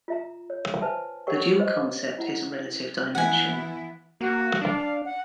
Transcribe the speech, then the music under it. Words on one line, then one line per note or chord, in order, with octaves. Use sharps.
The dual concept is relative dimension.
F4 E5 A#5
C#5
B4 C5 E5 G#5 A5
G4 A#4 C#5 F#5 G5 C#6
B4 C5 D#5
E4 F#5 A#5
E3 B3 E4 F#5 G#5
A#3 F#4
D4 F5
F#5